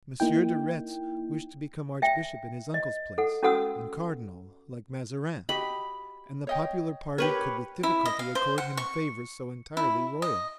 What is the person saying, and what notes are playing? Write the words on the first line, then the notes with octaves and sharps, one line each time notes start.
Monsieur de Retz wished to become archbishop in his uncle's place, and cardinal, like Mazarin; and the popular party could with difficulty accord him favors so entirely royal.
A#3 D#4 E4 G5
E5 G5
D#5
A4 F#5
C#4 F#4 A4 F#5 D#6 E6
F#4 G4 D#5 B5
C#5 D#5 G5
G4 A#4 B4 C#5
E4
D#5
F5
C5
F#5
C#6
E4
D#5